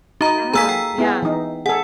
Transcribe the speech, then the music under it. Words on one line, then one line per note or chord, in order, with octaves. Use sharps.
Yeah, yeah.
D#4 F#4 A#5
A#3 G#4 A4 A#5 E6 B6
G5
B3 E4 G#4
E3 D#4
G#4 A4 F#5